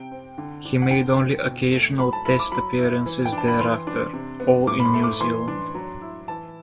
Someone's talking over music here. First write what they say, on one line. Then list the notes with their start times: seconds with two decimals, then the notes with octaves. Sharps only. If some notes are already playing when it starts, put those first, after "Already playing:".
He made only occasional Test appearances thereafter, all in New Zealand.
Already playing: C3 G5
0.11 C4
0.38 D3
0.65 D4
0.82 F#5
0.91 D3 G5
1.19 C4
1.45 B2
1.72 A3
1.99 F#3 B5
2.13 A5
2.25 E4 B5
2.39 D6
2.52 F#3 B5
2.79 E4
3.06 E3
3.25 G5
3.32 D4
3.38 A5
3.48 B5
3.59 E3 C6
3.87 D4
4.13 C3
4.40 B3
4.67 A2 D6
4.80 B5
4.85 C6
4.94 A3
5.03 D6
5.20 E3 C6
5.48 D4
5.75 F#3
6.02 E4
6.28 E3 A5